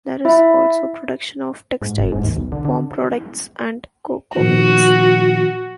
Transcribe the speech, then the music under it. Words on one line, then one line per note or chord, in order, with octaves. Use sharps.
There is also production of textiles, palm products, and cocoa beans.
E4 E5
G#2
F#1
G#2
D#2
B1
D3
D3
A#2 D#3 F3 F#4